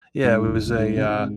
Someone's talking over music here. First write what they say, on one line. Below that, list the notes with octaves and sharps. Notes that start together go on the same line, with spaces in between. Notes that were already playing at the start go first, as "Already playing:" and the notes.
yeah, it was a, uh,
G#2
F1
C#2
G#2
C3
G#2